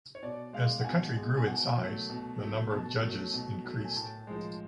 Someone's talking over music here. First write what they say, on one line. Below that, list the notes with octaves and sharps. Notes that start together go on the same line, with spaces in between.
As the country grew in size, the number of judges increased.
C#5
B2 D5
G#3 F5
F#5
B2 G#5
G#3
G#5
B2 F#5
F#3 A3
B2
F#3 A3
B2 A5
F#3 A3
B2
F#3 A3
G#5
A2 A5
F3 G#3